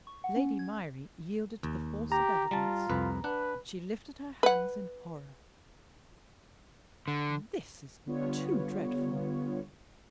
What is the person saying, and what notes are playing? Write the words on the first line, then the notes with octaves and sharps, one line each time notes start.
Lady Myrie yielded to the force of evidence; she lifted her hands in horror: "This is too dreadful!"
C#6
F#5
C#4
G#6
D#2
G4 A#5
G3 F4 A5
C2 F2 B4
D4 B4 F#5
B4 F#5
D3
D3 G3 B3 F4 C#5